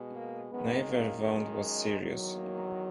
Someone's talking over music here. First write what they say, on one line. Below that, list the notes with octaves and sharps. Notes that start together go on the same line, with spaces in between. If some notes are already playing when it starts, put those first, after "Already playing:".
Neither wound was serious.
Already playing: B2 G#3
A#3
F#2 D#3 G#3 B3
A#3
G#3
E2 D#3 F#3
A#3